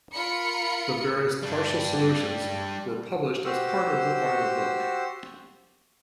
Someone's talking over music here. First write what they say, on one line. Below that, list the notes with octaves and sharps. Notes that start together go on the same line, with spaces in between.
The various partial solutions were published as part of the final book.
F4 A#4 B5 C#7
G3 D4
F#4 G4 C5 E6